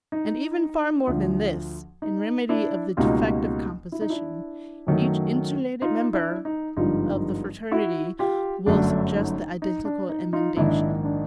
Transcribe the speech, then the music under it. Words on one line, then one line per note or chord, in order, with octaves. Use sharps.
And even far more than this, in remedy of the defective composition, each insulated member of the fraternity will suggest the identical emendation.
D#4
D2 D3 F3
D#4
D4 E4
C#2 B2 G3 A#3 D#4 F4
E4
D#4
D4 E4
F#2 D#3 F#3 A3
D#4 F4
D4 E4
D#4
G#1 G2 D3 F3 D#4 F4
E4 F#4
F4 G4
G1 F#2 D3 F#3 A3 D4
D#4
D#4
D4
D#4
D#4 F4
A#1 G#2 D#3 D4 E4
D4